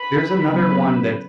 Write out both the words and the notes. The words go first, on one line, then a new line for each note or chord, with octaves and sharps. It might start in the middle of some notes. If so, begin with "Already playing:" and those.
There's another one that's
Already playing: B4 B5
C#3 F#3 B3 B4 B5